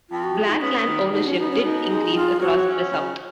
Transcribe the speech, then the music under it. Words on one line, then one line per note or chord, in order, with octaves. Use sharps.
Black land ownership did increase across the South.
F2 F4
F#4
G#3 G#4
D#4
B3 C#4
D#3 D#4
B2 D#4
C#4
B3 D#4
C#4
B2 D#4
G#3
F2 F4
F#3 F#4
C#4
C#3